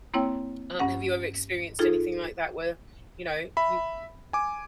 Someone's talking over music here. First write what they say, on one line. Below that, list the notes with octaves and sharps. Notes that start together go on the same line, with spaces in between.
Um, have you ever experienced anything like that where, you know? You
A#3 C4 E4 C#5 G5
G2 C#4 F#5
D#4 F4 G#4 A4
E5 B5
G#5 D6